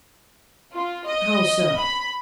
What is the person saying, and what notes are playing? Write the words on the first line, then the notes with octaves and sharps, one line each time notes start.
"How so?"
F4
D#5
B5